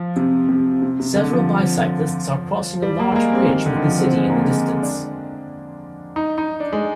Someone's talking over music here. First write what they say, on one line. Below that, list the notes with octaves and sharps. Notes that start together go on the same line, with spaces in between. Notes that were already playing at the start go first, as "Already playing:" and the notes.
Several bicyclists are crossing a large bridge with the city in the distance.
Already playing: F3
C3
C3
C3
C3
D3
F3
G3
A#3
G#3
A#3
C4
D#3
D3
D#3
F3
C4
G#3
A#3
G#3
D4
D#4
D#4
D4
G#3